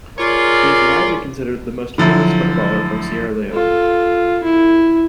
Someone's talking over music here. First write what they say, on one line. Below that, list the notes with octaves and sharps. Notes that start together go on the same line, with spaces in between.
He is widely considered the most famous footballer from Sierra Leone.
F4 G#4 A#4 C#5 D5 C6
D3 F3 F#3 E4
F4 A4
E4